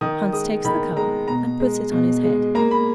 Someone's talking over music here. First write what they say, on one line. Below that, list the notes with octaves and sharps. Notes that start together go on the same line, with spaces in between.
Hans takes the calf, and puts it on his head.
D#3 D#6
G#3 D#6
D#3 B5
G#3 A#5
B2 A#5
G#3
B2
G#3
A#3 A#5
B5